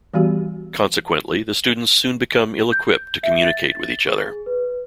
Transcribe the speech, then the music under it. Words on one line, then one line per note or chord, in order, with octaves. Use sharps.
Consequently, the students soon become ill-equipped to communicate with each other.
E3 G3 B3 F#4 G4
G6
E5
A6
G#4
B4